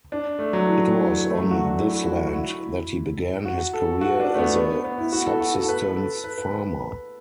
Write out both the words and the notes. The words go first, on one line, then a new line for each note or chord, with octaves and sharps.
It was on this land that he began his career as a subsistence farmer.
D4
A3
F#3
E3
A3
F#3
F#4
D4
E4
F#4
F#4
E4
F#4
A4
F#4
D4
A3
B3
B3
B3
E4
F#4
A4
F#4
F#4
A4
B4
A4
B4
B4